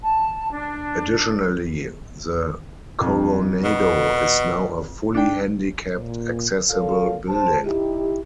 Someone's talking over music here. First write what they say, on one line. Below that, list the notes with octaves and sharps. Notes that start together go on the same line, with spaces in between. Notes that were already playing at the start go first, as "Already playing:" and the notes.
Additionally, the Coronado is now a fully handicapped accessible building.
A5
D4
F2
B2
D4 G5
A#2
F4 A4 A#4 C#5 F5
C5 A5
D#4 E4 G4